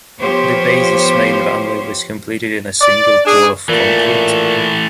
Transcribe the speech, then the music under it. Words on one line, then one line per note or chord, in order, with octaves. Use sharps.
The base's main runway was completed in a single pour of concrete.
F3 B3 G4 C5 C#5
D5
D4 G#4
A#2 E3 A3